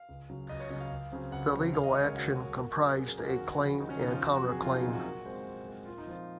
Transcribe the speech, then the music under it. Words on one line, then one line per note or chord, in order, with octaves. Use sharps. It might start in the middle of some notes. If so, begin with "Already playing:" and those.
The legal action comprised a claim and counterclaim.
Already playing: F5
C#2
C#3 F#3
C#2 D#5
C#5
C#3 F#3 D#5
F5
C#2
C#3 F#3 C4
C#2 F#5
C#3 F#3 C4
D#2 F5
D#5
C#3 G#3 C#5
A#4
D#2 F#4
C#3 G#3
A#2
F#3 C#4
A#2 G#4
A#4
F#3 C#4 A#4
F#4
D#2
C#3 F3
D#2 D#4
C#4
C#3 F3 D#4
F4
F2 F#4
F#4
C3 F#3
G#4
F2 F4
D#4
C3 F#3 F4
F#4
A#2
G#3 C4
A#2
G#3 C4
A#2 F4
D#4
F3 C4 F4